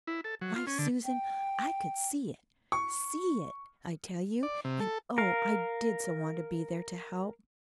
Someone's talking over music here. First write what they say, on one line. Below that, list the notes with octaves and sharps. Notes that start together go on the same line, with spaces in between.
Why, Susan, I could see it--SEE it, I tell you, and, oh, I did so want to be there to help.
E4
A4
F#3
F4
C#4
D3
G5
C#6
D5
C3
A4
A#4 F5